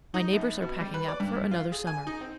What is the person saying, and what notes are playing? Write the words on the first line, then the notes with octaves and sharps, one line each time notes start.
My neighbors are packing up for another summer.
D#4
A#1
B2
G3
B4
D5
G2
F4
G#4
G#5
D#4
C4